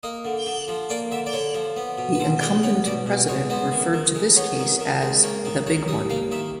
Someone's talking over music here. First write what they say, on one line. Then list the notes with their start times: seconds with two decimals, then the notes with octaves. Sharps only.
The incumbent president referred to this case as "the big one".
0.03 A#3 D#5
0.25 D3
0.46 D3
0.68 F3
0.90 A#3 D5
1.11 D3 E5
1.26 D5
1.33 D3 C#5
1.54 F3
1.76 B3
1.98 B2
2.15 B4
2.20 B2 C5
2.41 G#3 D5
2.63 B3 C#5
2.85 B2 D5
3.06 B2
3.28 G#3 C#5
3.50 B3 C5
3.72 D#3
3.93 D#3
4.15 G#3
4.36 B3 C#5
4.59 D#3
4.80 D#3
5.01 G#3
5.23 A#3 C#5
5.45 D#3
5.66 D#3 C#5
5.88 G3 D#5
6.10 A#3 F5
6.32 D#3 E5